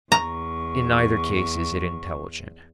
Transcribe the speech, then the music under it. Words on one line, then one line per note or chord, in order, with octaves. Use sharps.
In neither case is it intelligent.
E2 A#5 C#6